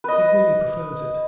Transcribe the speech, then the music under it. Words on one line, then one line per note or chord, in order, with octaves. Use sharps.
He really prefers it.
B4 D#5